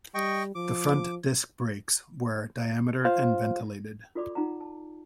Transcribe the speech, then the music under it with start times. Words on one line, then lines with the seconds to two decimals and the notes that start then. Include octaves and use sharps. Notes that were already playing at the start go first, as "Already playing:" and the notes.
The front disc brakes were diameter and ventilated.
0.15 G3 D#5 G5 C#6
0.55 F3 D6
3.05 F4 C5 F5
4.15 F4 F#4 A4 D5 B5 D6
4.35 D#4 F4 F#5 A#5
4.61 A5